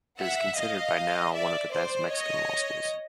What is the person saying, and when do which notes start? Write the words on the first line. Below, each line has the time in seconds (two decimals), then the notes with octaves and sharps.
It is considered by now one of the best Mexican law schools.
0.20 E5 F#5
0.58 D#5 F5
1.35 D5 E5
1.73 C5 D5
2.12 C#5 D#5